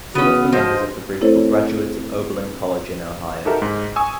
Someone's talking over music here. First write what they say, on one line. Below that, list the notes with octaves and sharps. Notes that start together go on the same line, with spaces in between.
Some of the members of the group were graduates of Oberlin College in Ohio.
C#3 B3 C#4 F#4 D#6
F3 C5 D#5
A3 C4 E4 A4 C5 C#5
D#4 F#4 G4 A4 A#4 E5
G#2
G#5 C#6 D#6 E6